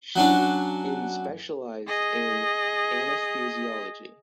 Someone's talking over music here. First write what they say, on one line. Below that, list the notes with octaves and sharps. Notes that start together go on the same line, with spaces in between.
She in specialized in anesthesiology.
F#3 C#4 D4
G#4 D#5